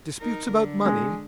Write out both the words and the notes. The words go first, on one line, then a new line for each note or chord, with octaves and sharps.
"Disputes about money?"
D#4 A#4
D3
G#3